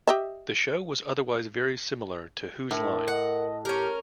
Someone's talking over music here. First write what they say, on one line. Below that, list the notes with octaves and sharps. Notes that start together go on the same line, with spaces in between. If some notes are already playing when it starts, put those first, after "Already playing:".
The show was otherwise very similar to Whose Line?
G4 D#5 E5
A2 D4 A#4
D#5 F#5
C#4 G4 A#4